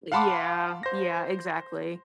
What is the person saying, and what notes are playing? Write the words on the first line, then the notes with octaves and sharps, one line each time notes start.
Yeah, yeah, exactly.
F5 F#5 A5 B5 C6 D6
C5 A#6